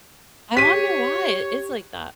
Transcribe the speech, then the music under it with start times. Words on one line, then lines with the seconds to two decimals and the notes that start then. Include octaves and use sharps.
I wonder why it is like that.
0.57 G4 C#5 B6 D#7